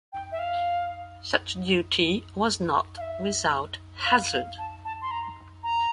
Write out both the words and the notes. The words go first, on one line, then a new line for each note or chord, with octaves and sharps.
Such duty was not without hazard.
G5
E5
F5
F5
E5
F5
F5
A5
A5
C6
A#5
A#5